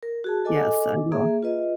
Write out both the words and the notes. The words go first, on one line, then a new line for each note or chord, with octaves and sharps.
Yes. I will.
A#4
F#4 G#4 A5
A4 D#5 G#5 D6
A#3 G#4 E5
F4 B4 D#5